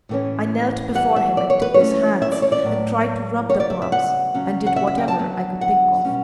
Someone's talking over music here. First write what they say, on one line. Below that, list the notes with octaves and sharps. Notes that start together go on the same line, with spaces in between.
I knelt before him and took his hands, and tried to rub the palms, and did whatever I could think of.
A2 E3 A3 C#4
E3 G3 B3 F#5
E5
D5
C#5
B4
C#5
E3 A3 C#4
E5
D5
C#5
D5
A2 F#3 B3
C#3 G3 B3 C#5
D5
E5
E5
F#5
C#3 F#3 C#4
F#5
E5
E5
G5
A5
D3 F#3 B3
F#5
B2 G3 C#4